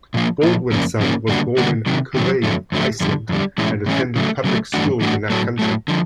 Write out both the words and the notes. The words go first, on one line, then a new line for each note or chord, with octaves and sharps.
Baldwinson was born in Akureyri, Iceland, and attended public school in that country.
A#2 F3 A#3
A#2 F3 A#3
F2 C#3 F3 A#3 C#4
F2 C#3 F3 A#3 C#4
D3 G3 A#3 D4 F#4
D3 G3 A#3 D4 F#4
C3 D#3 F#3
C3 D#3 F#3
F2 D3 F#3 A3
F2 D3 F#3 A3
F2 D3 G3
F2 D3 G3
A2 E3 G#3 C#4 E4
A2 E3 G#3 C#4 E4
C#3 F#3 A3
C#3 F#3 A3
G2 E3 A3 D4 F#4
G2 E3 A3 D4 F#4
A2 F#3 A3
A2 F#3 A3
D3 F3